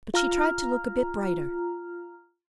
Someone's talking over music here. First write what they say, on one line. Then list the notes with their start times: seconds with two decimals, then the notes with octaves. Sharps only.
But she tried to look a bit brighter.
0.14 F4 A#5 F6